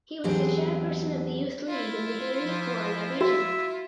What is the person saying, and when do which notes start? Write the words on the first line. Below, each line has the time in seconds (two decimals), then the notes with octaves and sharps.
He was chairperson of the youth league in the Harry Gwala Region.
0.24 E2 F#3 C4 D4 G4 G#4
1.68 E4 F4
2.43 F3
3.21 F#4 E5